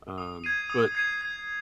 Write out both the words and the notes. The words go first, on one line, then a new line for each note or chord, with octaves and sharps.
um but
D#6
G#6 C7 D#7
D#6
G#6 C7 D#7
G#6